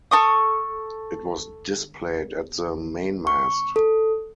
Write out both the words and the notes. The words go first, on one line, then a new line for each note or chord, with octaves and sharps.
It was displayed at the mainmast.
A4 C#6 D#6
C#6
A4